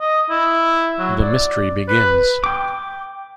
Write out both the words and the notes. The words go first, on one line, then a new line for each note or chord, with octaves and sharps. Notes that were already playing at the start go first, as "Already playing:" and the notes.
The Mystery Begins.
D#5
E4
F#3
D5
B4
G5 D6